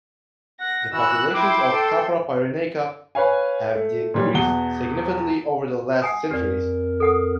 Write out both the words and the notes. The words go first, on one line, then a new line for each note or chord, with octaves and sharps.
The populations of "Capra pyrenaica" have decreased significantly over the last centuries.
F#5 A#6
E3 F#4 E6 F#6
E4 G5 C6 D6
A4
B4 C#5 F5 G#5
A3
A#2 F#3 G3
E2 B2 F#5 G7
F#5 G#5 D#6
F2 G4 A#4 D5
A4 F#5 D#6